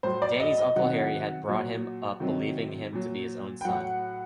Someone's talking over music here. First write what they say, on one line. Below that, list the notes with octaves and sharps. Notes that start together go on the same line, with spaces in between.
Danny's Uncle Harry had brought him up believing him to be his own son.
A2 F#3 C5
D5
D#5
D#5
C3 D#3 F#3 F#5
A#2 F#3
C3 D#3 F#3
A#2 F#3
G5
A2 F#3 F#5